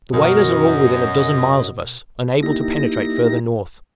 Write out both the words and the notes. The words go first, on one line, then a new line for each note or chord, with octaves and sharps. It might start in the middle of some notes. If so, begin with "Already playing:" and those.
The whalers are all within a dozen miles of us, unable to penetrate further north.
F#2 B2 F#4 A#4 D#5
A#3 D#4 E4 G4 A#6